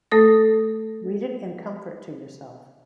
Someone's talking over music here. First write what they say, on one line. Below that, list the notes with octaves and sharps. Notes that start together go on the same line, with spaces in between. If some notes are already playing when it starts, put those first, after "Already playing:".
Read it in comfort to yourself.
A3 A4 D#6 A#6